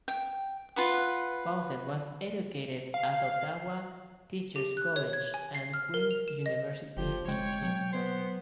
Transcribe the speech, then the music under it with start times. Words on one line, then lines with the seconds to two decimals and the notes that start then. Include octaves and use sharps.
Fawcett was educated at Ottawa Teachers' College and Queen's University in Kingston.
0.08 G5
0.76 F4 B4 F#5
2.94 F5
4.56 G4
4.77 F#6
4.96 C#5
5.13 G#6
5.34 G#5
5.55 C7
5.74 F6
5.94 A#4
6.11 F7
6.28 E7
6.46 D#5
6.97 F#1 F3 G4
7.28 G#3 C#5 G5
7.62 F#3
7.92 B3 C5